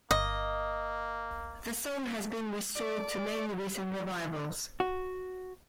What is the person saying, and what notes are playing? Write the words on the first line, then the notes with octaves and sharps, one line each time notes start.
The song has been restored to many recent revivals.
G1 A#3 D#5
D5
F#4